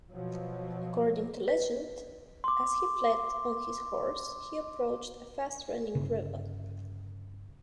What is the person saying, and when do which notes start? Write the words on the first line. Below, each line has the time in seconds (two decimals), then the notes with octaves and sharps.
According to legend, as he fled on his horse, he approached a fast-running river.
0.12 B2 F3 F#3
1.48 B4
2.44 C6 D6
5.95 G1 C#3